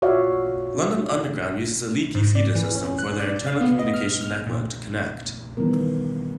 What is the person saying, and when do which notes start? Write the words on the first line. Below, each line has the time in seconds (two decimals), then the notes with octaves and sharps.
London Underground uses a leaky feeder system for their internal communication network "Connect".
0.02 F4 F#4 C#5 D5 E5 F5
2.15 G#2
2.35 D5
2.55 E3
2.75 C#4
2.98 F#6
3.20 D5
3.47 F5
3.61 B3
3.79 D#5
3.94 F6
4.21 F6
4.47 A#2
5.57 D#3 E3 G3 B3 A#4